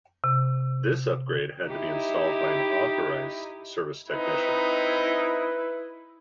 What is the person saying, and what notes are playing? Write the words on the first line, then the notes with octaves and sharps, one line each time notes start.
This upgrade had to be installed by an authorized service technician.
C3
D#4 E4 G4
C4 D#4 E4 B4